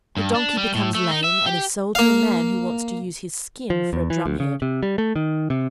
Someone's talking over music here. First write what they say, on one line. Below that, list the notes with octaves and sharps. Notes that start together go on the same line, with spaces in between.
The Donkey becomes lame and is sold to a man who wants to use his skin for a drumhead.
G2
D4
G3
A2
A3
D#4
E5
G4
A#3 F5
F3
E2
E3
D2
C#3
C3
G3
A3
D#3
C3